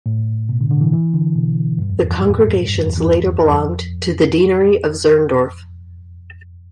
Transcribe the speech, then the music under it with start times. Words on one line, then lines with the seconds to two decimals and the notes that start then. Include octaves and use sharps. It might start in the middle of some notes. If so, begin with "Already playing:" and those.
The congregations later belonged to the Deanery of Zirndorf.
0.06 A2
0.49 B2
0.61 D3
0.71 D3
0.81 E3
0.93 E3
1.14 D3
1.36 B2
1.79 G2
1.90 F2
2.00 E2
2.11 F2
2.22 A2
2.65 G2
2.76 F2
2.86 E2
2.97 E2
3.51 F2